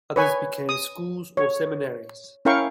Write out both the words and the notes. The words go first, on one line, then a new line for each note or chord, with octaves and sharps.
Others became schools or seminaries.
B4 C#5 G#5
D#6
C#5
C#4 E4 A#4 F5 G5 C#6